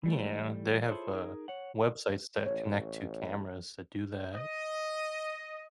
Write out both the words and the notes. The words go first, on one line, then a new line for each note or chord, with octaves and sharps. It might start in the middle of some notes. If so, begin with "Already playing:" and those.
Yeah, they have, uh, websites that connect to cameras that do that.
E3 G3 A3
E4 F4 G#4 A4 C5 C#5
D#4 G#4 A#4
C#5 F#5
A1 C#5
D#5